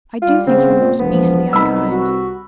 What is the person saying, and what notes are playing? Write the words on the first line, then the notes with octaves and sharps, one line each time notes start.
I do think you're most beastly unkind.'
G3 F4
C#3 B3 C4
A#2
E1 F3 B3
C2 D#4 B5 E6
F#4